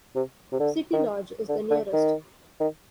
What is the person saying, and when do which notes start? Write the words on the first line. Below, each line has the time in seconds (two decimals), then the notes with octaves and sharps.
Citylodge is the nearest.
0.15 C3
0.52 C3
0.60 D3
0.93 D#3
1.49 D3
1.70 D3
1.93 D#3
2.60 D#3